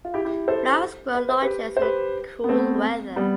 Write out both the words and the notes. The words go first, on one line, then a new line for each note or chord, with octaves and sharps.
Flowers grow largest in the cool weather.
F4
E4 G4
E4 G4
A4 C5
B4
C5
G4 B4
C5
G4 B4
B3
A3 C4
G3 B3